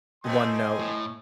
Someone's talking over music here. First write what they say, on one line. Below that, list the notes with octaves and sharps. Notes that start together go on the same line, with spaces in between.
one note,
A#2 A3 C4 D#5 G#5 C6
A2